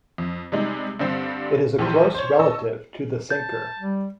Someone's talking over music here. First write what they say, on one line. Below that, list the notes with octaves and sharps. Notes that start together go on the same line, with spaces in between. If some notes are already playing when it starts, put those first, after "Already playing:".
It is a close relative to the sinker.
F2
C3 G3 G#3 D#4
G2 D3 G3 C4
A#1 E3 G4 C5 C6
C5 C#5
D#5 A5 C#6 E6
A5 G6
G3